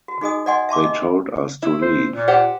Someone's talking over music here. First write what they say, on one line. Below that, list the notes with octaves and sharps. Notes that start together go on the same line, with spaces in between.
They told us to leave.
F#4
D#4 F#4 G#4 D#5 G#5 D#6
D5 D#5 F#5 G#5 C6
E5 A5 C6 D6
D#5
E4
C5
A#2
G4 C5 F#5